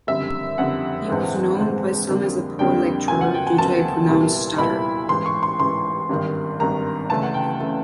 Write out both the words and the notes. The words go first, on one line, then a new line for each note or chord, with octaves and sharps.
He was known by some as a poor lecturer, due to a pronounced stutter.
F#1 F2 D3 G3 E5
F#1 F2 D3 G3 F#5
A#1 G#2 E3 G#3 C4
A#1 G#2 E3 G#3 C4
F2 D3 G3 A#3 D4
F2 D3 G3 A#3 D4 G5
E1 D2 C#3 F#3 B3 G#5
F#5
G5
G#5
E1 D2 C#3 F#3 B3 A5
C2 A#2 G3 B3 E4
C2 A#2 G3 B3 E4 B5
A1 G#2 E3 C6
C#6
C6
A1 G#2 E3 C6
G#1 G2 D#3
G#1 G2 D#3 A#5
C#2 C#3 E3 A3 A5
F#5
G5
C#3 E3 A3